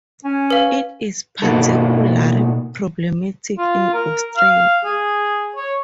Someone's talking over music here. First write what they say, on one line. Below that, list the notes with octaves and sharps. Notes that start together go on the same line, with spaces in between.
It is particularly problematic in Australia.
C#4
B4 F5
B2 A#3 D#4 F#4 A4
F4
A#4
F5
G#4
C#5